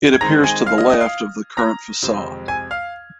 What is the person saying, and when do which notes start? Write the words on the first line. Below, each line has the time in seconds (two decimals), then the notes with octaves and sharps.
It appears to the left of the current facade.
0.13 G#6
0.21 D#3 G#3 C4 D#4 A#5 A#6
0.44 G#5 G#6
0.66 F5 F6
0.78 D#5 D#6
0.89 D#5 D#6
1.01 F5 F6
1.57 A#5 A#6
2.02 F2 C3 G#3 C4
2.48 G#5 G#6
2.71 F5 F6